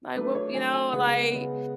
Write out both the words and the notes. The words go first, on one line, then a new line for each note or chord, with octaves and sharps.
like, what" you know? Like,
F#3 A3 D4 B4
C#5
F#3 A3 D4 G#5
G#5
C#3 G#3 B3 F#5
C#3 G#3 B3